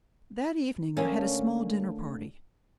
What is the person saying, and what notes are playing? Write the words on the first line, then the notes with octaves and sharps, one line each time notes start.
That evening I had a small dinner-party.
D2 A#3 C#4